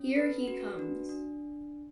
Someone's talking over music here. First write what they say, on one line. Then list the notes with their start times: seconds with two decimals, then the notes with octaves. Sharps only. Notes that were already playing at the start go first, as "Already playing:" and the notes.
Here he comes.
Already playing: C#4
0.16 A4 B4
0.47 F#4
0.79 D4
1.09 D4